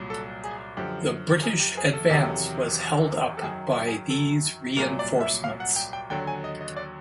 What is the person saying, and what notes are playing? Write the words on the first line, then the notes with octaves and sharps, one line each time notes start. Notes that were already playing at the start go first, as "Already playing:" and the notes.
The British advance was held up by these reinforcements.
Already playing: C2 A#2 F#3
A4
G#4
F#2 D3 F3 G4
G#4
G4
G#4
A4
E2 C3 D#3 F#3
A4
F#2 D#3 F#3 G#4
G#4
A4
C2 A#2 F#3 A#4
D5
E5
F5
F#5
G5
G5
D#2 D3 F#3 G5
G#5
D#5
D#5
D5